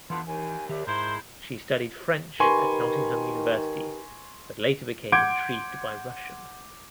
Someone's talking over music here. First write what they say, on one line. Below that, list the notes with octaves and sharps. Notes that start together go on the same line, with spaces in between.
She studied French at Nottingham University but later became intrigued by Russian.
D3 E3 F3 B3 C6
D#2 G#5
D#3 G4 D5 E5
G#2 G#3 E4 A#4 C5 E5 A#5 C6
D#3 G4 A#4 B4 G#5 C6 C#6
F#5 C6 D6 G6 G#6 D7